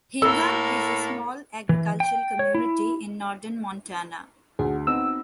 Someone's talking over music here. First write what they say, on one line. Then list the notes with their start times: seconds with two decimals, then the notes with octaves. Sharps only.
Hingham is a small agricultural community in northern Montana.
0.22 A2 A#3 A4 E6
1.69 E3
2.00 G5
2.39 C#5
2.55 E4
4.59 D2 G#4
4.87 B3 C4 D#4 E6